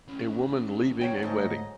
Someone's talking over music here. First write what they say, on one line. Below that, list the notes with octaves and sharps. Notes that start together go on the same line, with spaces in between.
A woman leaving a wedding.
E3 C#4
E2 C#3 F#3 C#5 G5
D2 G#2 A3 D#5